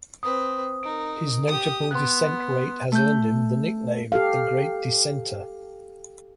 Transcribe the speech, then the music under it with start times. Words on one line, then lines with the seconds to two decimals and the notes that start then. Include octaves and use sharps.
His notable dissent rate has earned him the nickname the "Great Dissenter".
0.23 C4 B4 D#6
0.83 D#4 A#4 D7
1.48 G4 D#6
1.91 B3 C6 F#6
2.92 A3 G6
4.12 G4 A4 F5